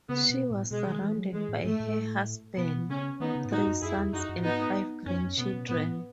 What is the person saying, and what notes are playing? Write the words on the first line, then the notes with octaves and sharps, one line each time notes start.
She was surrounded by her husband, three sons, and five grandchildren.
C#3 B3
B2
A2
B2 G#3
D#3
E3
F#3
E3 G#3
A2
G#2 A3
A2
B2 B3
C#3 C#4
D#3 B3 D#4
C#3
G#2
A2 D#4 F#4
F#2
F#2 E4 G#4
E2
F#2 D#4 F#4
F#2
A2
G#2 B3 D#4
F#2 C#4
E2
F#2
B2 B3
B2
A2 B3